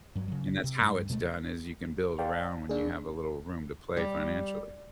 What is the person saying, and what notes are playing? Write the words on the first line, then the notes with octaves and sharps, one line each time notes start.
and that's how it's done, is you can build around when you have a little room to play financially.
G2 F#3
C#3 F#3
C3
G2
B2 G#3 A3
D5 F5 G5 A5
D4 G#4
G3